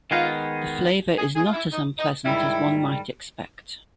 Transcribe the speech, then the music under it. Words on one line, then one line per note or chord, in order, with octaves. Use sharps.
The flavor is not as unpleasant as one might expect.
D#3 G#3 B3 D#4 F4 G#4
G#4
G#4
F4
E4
D#4
D#4
G#2 D#3 G3 E4